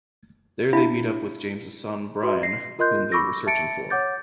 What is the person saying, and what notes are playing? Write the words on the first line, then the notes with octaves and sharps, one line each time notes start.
There they meet up with James' son, Brian, whom they were searching for.
D4 E4 E5 F5 B5
F#4 B4 E5 C6
A#6 C7
F4 A#4 D#5 C6 F#6 G6
B5 C#6 D6 E6 A#6
E5 A5 A6 C#7 D7
C#5 F#5 D6 G6 A6